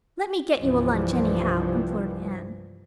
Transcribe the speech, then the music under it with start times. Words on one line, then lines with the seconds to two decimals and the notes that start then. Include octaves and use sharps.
"Let me get you a lunch anyhow," implored Anne.
0.57 C2 G2 E3 F3 G3